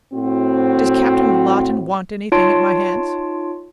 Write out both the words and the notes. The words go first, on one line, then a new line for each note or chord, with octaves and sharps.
"Does Captain Lawton want anything at my hands?"
A2 C4 F#4
D#4 F4 C#5 A5 C6 D7